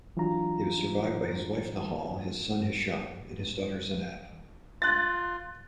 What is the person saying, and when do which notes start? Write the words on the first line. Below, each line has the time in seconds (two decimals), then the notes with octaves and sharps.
He was survived by his wife, Nehal, his son, Hisham and his daughter, Zeinab.
0.17 E3 F#3 D4 F4 A#5
4.82 F4 F#6 A6